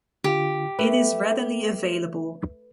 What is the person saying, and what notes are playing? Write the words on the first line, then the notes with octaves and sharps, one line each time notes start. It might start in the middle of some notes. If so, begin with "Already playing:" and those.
It is readily available.
D3 F4 G4
A3 B4